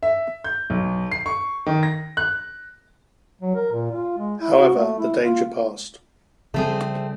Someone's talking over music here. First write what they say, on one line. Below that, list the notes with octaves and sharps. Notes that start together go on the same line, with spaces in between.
However, the danger passed.
E5
G6
B1
C7
C#6
D#3
A#6
F#6
F#3
A#4
A#2
F4
G#3
E4
F#4
A3
E4
F4
C#3 F3 G3 A3 C4 G#4